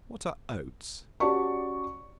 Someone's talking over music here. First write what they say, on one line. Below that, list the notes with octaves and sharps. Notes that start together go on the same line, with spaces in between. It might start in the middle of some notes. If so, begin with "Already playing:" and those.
What are Oats?
C#4 F#4 G4 D5 A5 C#6